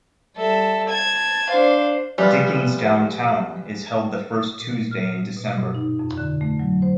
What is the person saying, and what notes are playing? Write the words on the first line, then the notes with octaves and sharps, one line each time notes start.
Dickens Downtown is held the first Tuesday in December.
G3 A4 E5
A5 G#6
D4 C5 F5
E3 F3 G3
A#2
F6
B2
G2
D#4
F2
D3
A3
F#3
C5